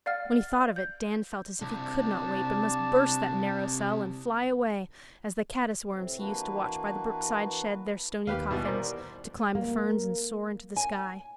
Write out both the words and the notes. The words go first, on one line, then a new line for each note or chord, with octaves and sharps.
When he thought of it Dan felt as if he could not wait, but must burst that narrow cell and fly away, as the caddis-worms he used to watch by the brookside shed their stony coffins, to climb the ferns and soar into the sky.
D5 F5 F#5 F6 A6
G6
C2 D4 A5
A2 C3 C4
E3 A#3 D4 F#4 B4
D#2 G4 B4 F5
B2 E3 G3
A#4 C5 D5
A#3
G#5